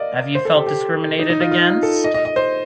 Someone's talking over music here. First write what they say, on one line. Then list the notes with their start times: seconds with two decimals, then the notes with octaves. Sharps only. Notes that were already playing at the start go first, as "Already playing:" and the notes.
Have you felt discriminated against?
Already playing: A#4 D5 D#5 F5
0.35 C5
0.45 A4
0.56 G4
0.67 G4
1.19 D#4
1.30 D#4
1.41 F4
1.51 F4
1.83 A4
2.04 D#5
2.14 D#5
2.25 D#5
2.36 C5